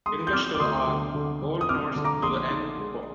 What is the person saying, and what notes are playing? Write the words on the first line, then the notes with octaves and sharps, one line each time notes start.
English to the "r", Old Norse to the "n" form.
G#3 C6 D#6
G6
C4 D6 F6
D6
D2 C6 D#6
D3
D3
D3
D#6
C4 D6 F6
D3
A#5 D6
A#1 C6 D#6
D#4
G#3